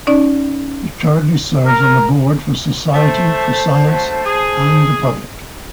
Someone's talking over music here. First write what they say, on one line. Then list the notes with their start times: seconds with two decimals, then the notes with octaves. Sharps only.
He currently serves on the board for Society for Science and the Public.
0.07 C#4 D#4 D5
1.65 A#4
2.93 A3 C5 A5
3.86 D3 F#3 A3
4.24 G#4